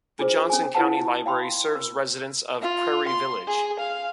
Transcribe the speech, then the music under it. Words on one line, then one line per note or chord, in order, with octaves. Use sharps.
The Johnson County Library serves residents of Prairie Village.
D4 F4 G#4 C5
C#4 A4 G#5
E4 F4 B4 F#5 A5
F5 G5 B5 C6
A#4
F4
C6
G#4
F5